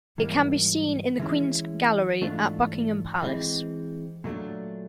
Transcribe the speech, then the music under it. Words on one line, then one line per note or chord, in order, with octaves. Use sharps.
It can be seen in the Queen's Gallery at Buckingham Palace.
G#2 E3 G3 A#3
E3 G#3 C#4 E4
G#2 E3 A3 D4 F4
E3 G#3 C4
A#2 F#3 A3 D4